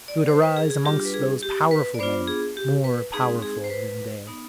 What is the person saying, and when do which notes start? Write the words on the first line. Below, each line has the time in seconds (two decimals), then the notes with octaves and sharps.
He would arise amongst those powerful men, more powerful than they.
0.08 D5
0.28 C5
0.42 B4
0.57 G#4
0.70 G#4
0.85 G3 D4 F4 G4
1.05 B4
1.14 G#4
1.43 G4
1.71 B4
1.94 D5
1.99 B3 D4 F4 C5
2.28 G#4
2.57 G4
2.84 B4
3.13 G#3 C4 D#4 G#4
3.43 G#4
3.64 C5
3.70 B4
4.27 B3 D#4